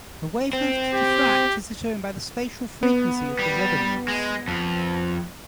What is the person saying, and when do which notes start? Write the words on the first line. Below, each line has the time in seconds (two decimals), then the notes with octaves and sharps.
The wavelength to diffract is determined by the spatial frequency of the ribbons.
0.53 C4
0.94 G4
2.83 B3
3.39 G3
4.08 G#3
4.48 F2